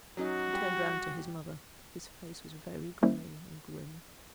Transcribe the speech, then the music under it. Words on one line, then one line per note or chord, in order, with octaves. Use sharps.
He turned round to his mother; his face was very gray and grim.
F#3 C#4 D#4 F#4
G3 G4
G3 A#3 C#4 E4 C5 E5